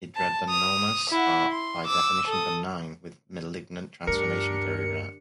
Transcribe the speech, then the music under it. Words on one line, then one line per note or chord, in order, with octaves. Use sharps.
Hidradenomas are by definition benign, with malignant transformation very rare.
A5
D#6 F7
E4 F#5
C6
D6 E6
A4 D#6
D2 G2 D4 G4 A#4 C#7